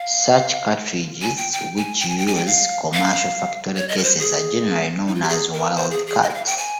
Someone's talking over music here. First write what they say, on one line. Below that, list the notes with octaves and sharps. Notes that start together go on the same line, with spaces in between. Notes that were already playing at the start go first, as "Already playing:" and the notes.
Such cartridges which use commercial factory cases are generally known as wildcats.
Already playing: F5
G#5
G5
G5
G#5
G5
G#5
G5
G#5
G5
F5
F5
C#5
D#5
A#4
C5
G#4
D#4
F4
G4
G#4
A#4
C5
G#4
G#4
D#5
G5
F5
G5
G#5